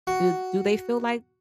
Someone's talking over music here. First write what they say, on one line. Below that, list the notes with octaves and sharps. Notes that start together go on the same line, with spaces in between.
do do they feel like
F#4